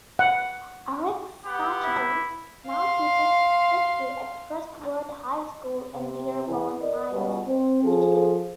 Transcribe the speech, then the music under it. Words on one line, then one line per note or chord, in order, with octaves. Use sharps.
Eric Schabo now teaches history at Crestwood High School in Dearborn Heights, Michigan.
F#5
B3 G4 F#5
E4
F5 C6
C3
E2 E3
A#4 D5 D#5
C#2 B2 G3
C4
F3 G#4 A4